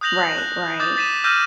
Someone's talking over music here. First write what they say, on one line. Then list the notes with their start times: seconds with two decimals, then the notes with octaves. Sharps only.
Right, right,
0.01 D#6 F#6 G6 A#6 F7 F#7
0.38 F#6
0.80 D6 D#6 G6 A6
0.97 A6 B6 D#7 E7
1.24 D6 E6 F6 G6 A#6 D#7